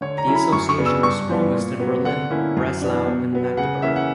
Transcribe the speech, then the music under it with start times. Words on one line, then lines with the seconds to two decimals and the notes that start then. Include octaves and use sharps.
The association was strongest in Berlin, Breslau, and Magdeburg.
0.01 D3 C#5
0.18 A#5
0.26 F#3 C#4 E4
0.35 B5
0.52 F#2 C#6
0.69 C#6
0.78 C#3 F#3 B3 D4
0.86 E6
1.03 G2 C#6
1.29 E3 G3 B3
1.54 A#2
1.80 F#3 B3
2.05 D3 F#5
2.30 A#3 C#4 E4
2.56 F#2
2.81 E3 B3 D4
3.06 B2
3.33 F#3 B3
3.57 C#3 F#5
3.82 E3 A#3 C#4 E5
3.96 F#5